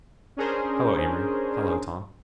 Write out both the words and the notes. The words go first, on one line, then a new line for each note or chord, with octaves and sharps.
"Hello, Amory--hello, Tom."
C#4 D4 G#4 A#4 C5